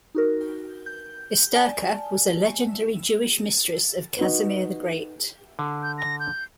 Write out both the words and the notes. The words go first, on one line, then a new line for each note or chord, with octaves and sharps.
Esterka was a legendary Jewish mistress of Casimir the Great.
D#4 F#4 A#4
G6
D5 G#5 A5
D#4 F#4 B4
D3
G6
A#6
G6